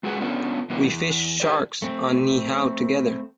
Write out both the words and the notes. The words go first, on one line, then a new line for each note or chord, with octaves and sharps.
We fished sharks on Niihau together.
G#3 F4 F#4 G#4 B4 F#5
B3 C#4 D4 F4 A4
C3 E3 G3 A#3 B3
E2
D4 G4 B4 C5 D5
A3 C4